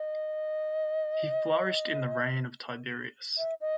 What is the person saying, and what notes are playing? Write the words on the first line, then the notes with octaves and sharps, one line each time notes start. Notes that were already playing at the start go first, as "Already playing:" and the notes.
He flourished in the reign of Tiberius.
Already playing: D#5
E5
D#5